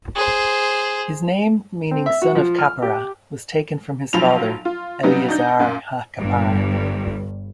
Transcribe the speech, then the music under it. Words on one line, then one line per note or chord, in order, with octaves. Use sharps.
His name, meaning "Son of Kapparah", was taken from his father, Eleazar ha-Kappar.
G#4 C5
C4
E5
F#4
F3
F6
G4
B1 F3 F#3 B5 F7
F4
C#3 F#3 G3 B3 D#4
D4 D#4 G6
F#2 A#2
G1 G2